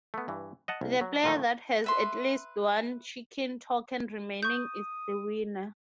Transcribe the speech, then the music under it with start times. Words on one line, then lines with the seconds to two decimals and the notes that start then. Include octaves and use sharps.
The player that has at least one chicken token remaining is the winner.
0.14 A3 B3
0.28 G2 E3
0.68 D#5 F#5 A5
0.81 C2
1.01 F#3
1.24 A#2 D3 D#3 F3 A3
1.84 B4 E5 C6
4.43 C#6 D#6 G6